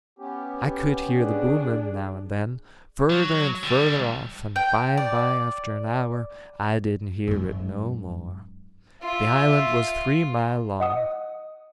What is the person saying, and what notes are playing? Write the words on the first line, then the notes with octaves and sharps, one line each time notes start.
I could hear the booming now and then, further and further off, and by and by, after an hour, I didn't hear it no more. The island was three mile long.
B3 C#4 G4
D4 G#4
F#3
D3 G3
G5
D5
G#1 F#2
F4 E5
D#5 F#5 D#6